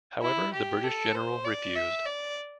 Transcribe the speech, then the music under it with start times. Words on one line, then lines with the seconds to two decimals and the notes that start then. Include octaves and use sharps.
However, the British general refused.
0.22 E4
0.53 G4
0.84 A4
1.15 C5
1.45 D5
1.75 E5
2.06 D5